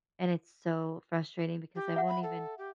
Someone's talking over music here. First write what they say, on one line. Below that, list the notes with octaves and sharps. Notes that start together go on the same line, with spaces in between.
and it's so frustrating because I won't even
G4
E5 F#5
B5
A4
G4